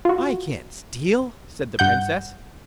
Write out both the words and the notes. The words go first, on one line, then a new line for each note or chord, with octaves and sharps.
'I can't steal', said the Princess.
F4 F#4
G2 F#5 G6